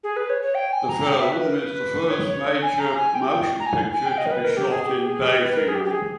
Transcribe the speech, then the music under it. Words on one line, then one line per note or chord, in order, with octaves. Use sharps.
The film is the first major motion picture to be shot in Bayfield.
G#4
B4
C#5
C#5
G5
G#5
A#5
G5
E5
B4
A#4
B4
C#5
C#5
G#5
A#5
G#5
G5
A#5
G#5
G#5
G5
D#5
A#4
B4
A#4
G4
G#4
G4
G#4
G4
B4
B4
A#4
G#4
G4
G4
G#4